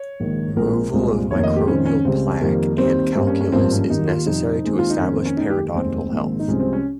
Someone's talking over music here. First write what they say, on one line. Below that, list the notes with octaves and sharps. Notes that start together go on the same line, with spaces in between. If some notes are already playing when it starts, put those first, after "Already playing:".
Removal of microbial plaque and calculus is necessary to establish periodontal health.
Already playing: C#5
A#1 G#2 D#3 A#3
A#1 A#2 G#3 C4 A#4
C2 A#2 G#3 C4
F1 F2 D#3 A#3 C#5
D#5
G4
F2 D#3 G#3 C4 C#4
C#4
C#2 C#3 G3 C4
F2 D#3 G3 A#3
D#2 D#3 G3 C4
G2 G3 A#3 C4
C#4
C#4
G#1 G2 F3 A#3 C4
C#4
D#2 D#3 G3 A#3 D#4
F4
F2 C3 G3 C4 D#4
D#2 D#3 G#3 C4
F4
D#4
F2 D#3 A#3 C#4
C4
C#4
D#2 D#3 G#3 D#4
G4
F1 D#2 D#3 G#3 C4
A#1 G#2 D#3 A#3
D#4
C2 C3 F3 G#3 C4 C#4
C4
C#4